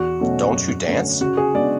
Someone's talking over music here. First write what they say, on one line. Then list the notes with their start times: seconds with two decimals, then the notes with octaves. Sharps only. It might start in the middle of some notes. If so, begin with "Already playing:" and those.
Don't you dance?
Already playing: E2 F#4
0.21 B2 F#3 A3 C#4
0.53 F#2
0.87 D3 A3 C#4
1.21 C#3 F#4
1.37 G#4
1.54 G#3 B3 D4 D5